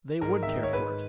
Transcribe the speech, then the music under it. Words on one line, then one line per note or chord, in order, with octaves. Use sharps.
They would care for it.
G#2 A#4
D#3 E5
D#5
C#5
G#2 B4